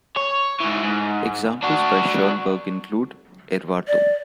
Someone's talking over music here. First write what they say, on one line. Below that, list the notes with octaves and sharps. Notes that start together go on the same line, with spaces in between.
Examples by Schoenberg include "Erwartung".
C#5
G#2 E3
G#2
D4 F#4
D5